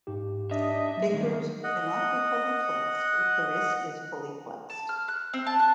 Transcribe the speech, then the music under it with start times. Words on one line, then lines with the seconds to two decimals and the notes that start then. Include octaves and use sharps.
Fingers cannot be fully flexed if the wrist is fully flexed.
0.07 G#2 D#4 G4
0.51 D4 D#5 E5
0.97 F#3 G3
1.14 B2 D#3 E3
1.64 D#5 F#5
4.70 A5
4.89 F6
5.08 F#6
5.33 C4
5.46 A5
5.59 F#6